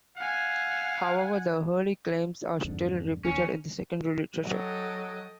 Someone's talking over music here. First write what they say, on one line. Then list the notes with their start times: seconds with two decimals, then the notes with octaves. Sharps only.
However, the early claims are still repeated in the secondary literature.
0.17 F5 F#5 G#5
2.64 F2 G#2 D3
3.25 D#2 C#4
4.45 F#3 A4 D#5 G5